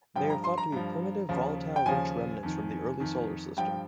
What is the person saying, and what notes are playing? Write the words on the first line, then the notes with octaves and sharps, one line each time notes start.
They are thought to be primitive, volatile-rich remnants from the early Solar System.
G2 F3 G5
A#5
C6
A#5
G2 F3
D#2 C#3 F3
G5
D#2 C#3 F3 G#5
F2 D#3
F2 D#3
G2 F3 G5